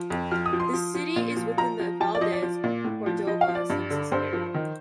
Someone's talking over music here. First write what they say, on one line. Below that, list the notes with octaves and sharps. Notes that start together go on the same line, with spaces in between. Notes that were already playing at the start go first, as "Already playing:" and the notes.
The city is within the Valdez-Cordova Census Area.
Already playing: F3
F2
F3 F6
D#6
F3
C6
F3
F3
A#2
F3
F3 A#5
F3
F3 A5
D5
F3 D#5
D5
F3
A#2
A2
F3
F3 D#5
F5
F3
D5
G2
D3
G2 C5
F3
D#3